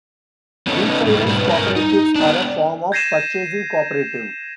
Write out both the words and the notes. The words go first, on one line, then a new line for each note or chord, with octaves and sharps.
Retailers' cooperatives are a form of purchasing cooperative.
B3 C#4 D#4 A4 C#5
A2 G3
G#2 B2 D4 B4
G2 A#4 G#5
D#4
B3 D4
G6 G#6 A#6 C7 D#7 E7